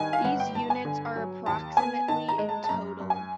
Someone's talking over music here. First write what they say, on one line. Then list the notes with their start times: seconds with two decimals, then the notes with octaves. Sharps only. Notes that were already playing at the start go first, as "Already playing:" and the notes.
These units are approximately in total.
Already playing: G2 D#3 G#5
0.13 F5
0.24 G1 F#5
0.40 G5
0.55 G1 A5
0.70 G#5
0.85 D3
1.16 F#3
1.46 D#2 A5
1.77 B3 G#5
2.08 D#3 A5
2.28 A#5
2.38 G#3
2.49 A5
2.64 A5
2.69 F#2 A#5
3.00 F#2
3.10 G#5